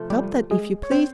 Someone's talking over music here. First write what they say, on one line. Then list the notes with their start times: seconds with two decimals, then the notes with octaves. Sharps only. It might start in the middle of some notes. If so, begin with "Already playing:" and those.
Stop that if you please!
Already playing: C3 F3 A3
0.10 G3 G4
0.51 G#3 G#4
0.83 C#5
0.91 C4 C5